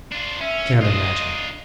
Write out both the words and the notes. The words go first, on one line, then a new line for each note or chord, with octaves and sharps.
'Can't imagine.
D4 F4
C#4 E5
D4 F4 D#5